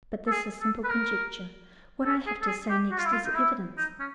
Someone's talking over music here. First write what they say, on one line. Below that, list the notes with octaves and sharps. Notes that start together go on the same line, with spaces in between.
But this is simple conjecture; what I have to say next is evidence.
A4
G#4
A4
B4
A#4
A4
G#4
A4
G#4
G4
F#4
F4
E4
F4
D#4
E4
D#4
C#4